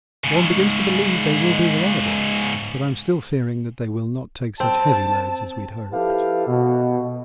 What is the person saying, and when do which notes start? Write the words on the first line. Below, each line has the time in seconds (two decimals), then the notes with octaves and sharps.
One begins to believe they will be reliable, but I am still fearing that they will not take such heavy loads as we hoped.
0.24 G#2 C#3
4.60 C4 A5
5.91 F3 E4 G4 A4 B4 F5
6.47 B2